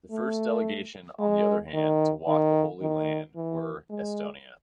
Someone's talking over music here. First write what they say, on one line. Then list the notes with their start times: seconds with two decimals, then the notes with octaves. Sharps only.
The first delegation on the other hand to walk the Holy Land were Estonia.
0.11 A3
1.20 G#3
1.74 D#3
2.28 D#3
2.81 D#3
3.36 E3
3.90 G#3